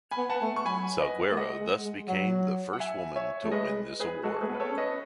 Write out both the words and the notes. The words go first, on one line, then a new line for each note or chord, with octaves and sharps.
Salguero thus became the first woman to win this award.
G#5 B5
B3
F#5 A5
B3
A3
C#6
F#3 G#5 B5
B4 D#5
A3
G#3 D#5 F#5
G#3
G#3
F#3
F#5
E5 G#5
C#5 E5
A3
G#3 B4 D#5
G#4 B4
G#3 F#4 A4
A3 G#4 B4
B3
B4
A4 C#5
C#4
B4 D#5